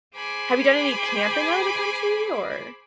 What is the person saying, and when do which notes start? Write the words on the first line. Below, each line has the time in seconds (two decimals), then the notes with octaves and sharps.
have you done any camping out of the country or
0.15 G#4 C5 G#5 B5 D6